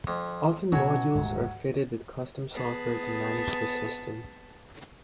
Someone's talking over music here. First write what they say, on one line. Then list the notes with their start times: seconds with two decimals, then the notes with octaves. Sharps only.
Often modules are fitted with custom software to manage the system.
0.07 F2
0.72 B2 F#3 C#4 C#5
1.15 D#1 D2 G#2
2.53 B3 G#4 A5